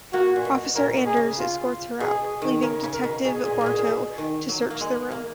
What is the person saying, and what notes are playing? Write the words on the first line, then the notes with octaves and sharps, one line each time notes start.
Officer Anders escorts her out, leaving Detective Bartow to search the room.
A#3 F#4
A#2
B2
A#2 A#4
B2
G#4
C#3
F4
B2 G#4
D#3
C#3 A#4
C#3
A#4
B2
B2 G#4
A#2
A#2
B2
A#2
B2
D#3
F#3
A#3
G#3
A#3